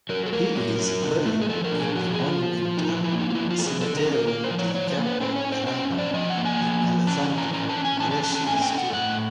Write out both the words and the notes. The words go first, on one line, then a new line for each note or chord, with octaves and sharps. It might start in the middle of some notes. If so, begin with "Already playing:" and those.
He is buried in the Monumental Cimitero di Campo Verano in Alessandro Moreschi's tomb.
F#3 A#4
A4
A3 A#4
F#3
F#3
D3
A3
G#4
F3 A4
A#4
D4
G#4
F3 F#4
G#4
F3
F4
F3
F3
D#4
F3 E4
E4
A#3
D#4
F4
F3 E4
F4
F3 A4
G#4
D3 A4
A#4
C#4
A#4
A#3 A#4
C5
F3
C#5
F3 C#5
C5
A#3
B4
C#4 C5
C#5
C#4
C5
C#4 C5
F3
D5
F3 D#5
F#5
A#3
G#5
F3
F3
C#4 A5
E3
A#5
C#4 A#5
A5
C#4
G#5
E3 A5
A5
C#4 A5
A5
A3 G#5
G#5
G5
C#4
F#5
A2 F#5